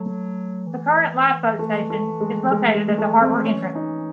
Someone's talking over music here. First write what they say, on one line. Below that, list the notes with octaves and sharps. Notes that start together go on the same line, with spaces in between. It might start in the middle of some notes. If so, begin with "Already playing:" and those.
The current lifeboat station is located at the harbour entrance.
Already playing: F#3 A3
E3
A3
A3
G#3
F#3
E3 G#3
G#3
G#3
A3
C4
C#4
D#4